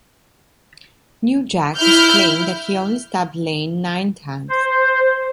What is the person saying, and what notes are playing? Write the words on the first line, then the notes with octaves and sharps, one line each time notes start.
New Jack has claimed that he only stabbed Lane nine times.
E4 F6 G6
C5